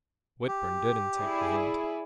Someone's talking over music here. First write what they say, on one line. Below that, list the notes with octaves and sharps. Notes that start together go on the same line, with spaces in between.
Whitburn didn't take the hint.
G4
E4 G#4 D5